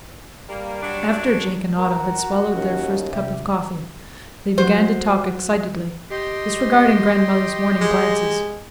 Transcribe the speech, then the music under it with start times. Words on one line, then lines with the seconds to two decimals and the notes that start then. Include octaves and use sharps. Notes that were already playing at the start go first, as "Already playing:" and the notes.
After Jake and Otto had swallowed their first cup of coffee, they began to talk excitedly, disregarding grandmother's warning glances.
0.49 G3 A#3
0.82 F#3 D4
1.78 F#4 A#4
2.54 D#2 C#4 F4
3.11 C3 G4 E5
4.58 F#3 C5
6.11 G4 D#5 C6
7.81 G#3